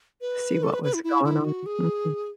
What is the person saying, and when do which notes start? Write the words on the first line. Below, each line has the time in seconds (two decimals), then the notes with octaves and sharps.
See what was going on. Mhm.
0.21 B4
0.63 A4
0.73 B4
0.83 B4
0.94 E4
1.04 E4
1.25 E4
1.45 F#4
1.66 G#4